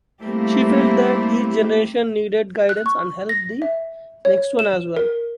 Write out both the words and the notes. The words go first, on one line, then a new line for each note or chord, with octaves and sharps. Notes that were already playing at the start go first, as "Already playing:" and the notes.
She felt that each generation needed guidance and help the next one as well.
G3 A3 A#3 C4 E4 G4
F#6
C#6
A#6
E5
C#5
E7
A#4